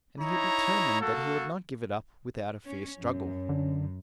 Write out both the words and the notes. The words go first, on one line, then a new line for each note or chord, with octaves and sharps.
And he had determined that he would not give it up without a fierce struggle.
D#4 E4 C#5 A#5
A#3 F#4 A4
C#4
F#2 C#4
D3